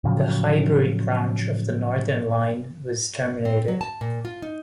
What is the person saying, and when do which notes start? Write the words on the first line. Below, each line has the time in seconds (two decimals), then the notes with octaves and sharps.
The Highbury Branch of the Northern line was terminated.
0.04 A2 C#3 F3 F#3
3.45 C4
3.68 F#3
3.81 A5
4.01 A#2
4.25 F4
4.42 D#4